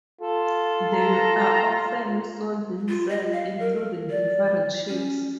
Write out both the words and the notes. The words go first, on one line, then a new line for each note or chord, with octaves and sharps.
They are often sold in sets, including different shapes.
F4 A4
A#5
F4
D#5
F5
A#4
D5
C#4